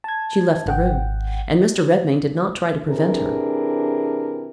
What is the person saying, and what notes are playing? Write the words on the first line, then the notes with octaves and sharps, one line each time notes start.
She left the room, and Mr. Redmain did not try to prevent her.
A5 G#6
G#1 F#5 G5
C3 E3 C4 D4 G#4 A#4